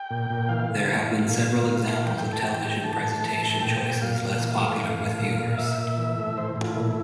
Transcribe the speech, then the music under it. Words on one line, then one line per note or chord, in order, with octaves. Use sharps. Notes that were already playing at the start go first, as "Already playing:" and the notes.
There have been several examples of television presentation choices less popular with viewers.
Already playing: G5
A#2
A#2
E3 F5
A2
E3
A2
A#2 F5
A#2
A#2
A#2
E3 G5
G5
A2
A5
E3 G5
A2
E3 A5
A2
E3
A2
A5
A#2 G5
A#2
A#2 F5
A#2
E3
A2
E3
A2
A#2
A#2
A#2 E5
A#2
E3
A2
E3 C5
A2
F4
A#2 E4